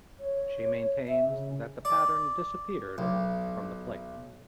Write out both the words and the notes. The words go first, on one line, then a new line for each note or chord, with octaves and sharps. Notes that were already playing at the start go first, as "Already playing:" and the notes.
She maintains that the pattern disappeared from the plate.
C#5
E5
C#3
D5
B1